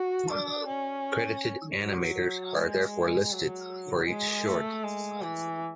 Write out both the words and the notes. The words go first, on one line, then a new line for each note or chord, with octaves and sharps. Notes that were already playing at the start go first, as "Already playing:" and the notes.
Credited animators are therefore listed for each short.
Already playing: F#4
D4
C#4
F#3
G#3
F#3
G#3
A3
G#3
E3